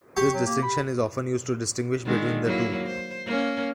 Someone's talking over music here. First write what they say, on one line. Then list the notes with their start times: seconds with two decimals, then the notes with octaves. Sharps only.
This distinction is often used to distinguish between the two.
0.17 G4 C#6
0.34 F#3
0.46 A#3
0.62 B5
2.05 D3 D#3 G#3
2.44 F#3 A#3 E4
2.87 C5
3.25 A#3 C#4